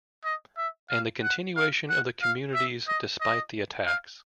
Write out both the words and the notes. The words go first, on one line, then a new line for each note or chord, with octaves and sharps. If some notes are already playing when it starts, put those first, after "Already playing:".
And the continuation of the communities despite the attacks.
D#5
E5
F5
F#5
F5
F#5
F5
E5
D#5
D#5
F5